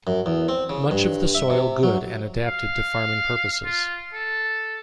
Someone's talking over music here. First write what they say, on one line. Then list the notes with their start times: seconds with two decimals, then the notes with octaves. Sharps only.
Much of the Soil good and adapted to farming purposes.
0.07 F#2
0.26 E2
0.48 C4
0.69 C#3
0.91 G2
1.35 E5
1.50 C3
1.83 F#3
2.47 F5
3.65 F4
4.14 A4